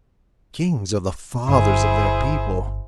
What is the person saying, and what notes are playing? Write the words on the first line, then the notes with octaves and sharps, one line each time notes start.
Kings are the fathers of their people.
G1 E4 G#4 C5